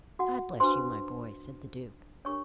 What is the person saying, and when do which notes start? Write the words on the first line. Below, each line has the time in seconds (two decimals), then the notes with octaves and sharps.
"God bless you, my boy!" said the Duke.
0.19 F#4 F#5
0.60 D4 F#4 B4 C5 C6
2.25 D4 G4 A#4 C#5 C#6